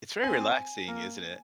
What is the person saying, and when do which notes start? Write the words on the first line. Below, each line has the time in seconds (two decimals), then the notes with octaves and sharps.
It's very relaxing, isn't it?
0.24 C4 G#5
0.88 A#3